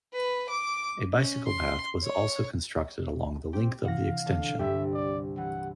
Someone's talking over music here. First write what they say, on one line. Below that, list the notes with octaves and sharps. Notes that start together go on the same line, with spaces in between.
A bicycle path was also constructed along the length of the extension.
B4
D6
C#4
C6
C#5
C4 G4
C3 E3 F5 F#5 A#6
D3
C2 G2 G4 E5
D5
E3 F#5